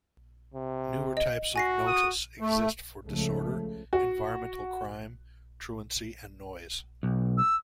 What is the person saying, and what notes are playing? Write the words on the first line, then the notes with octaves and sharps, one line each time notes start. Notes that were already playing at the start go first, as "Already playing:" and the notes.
Newer types of notice exist for disorder, environmental crime, truancy and noise.
C3
D#5
F#4 G#5 A#6 C7
D#6
A3
C#2 C#3 F3 A3
F#4
B1
E6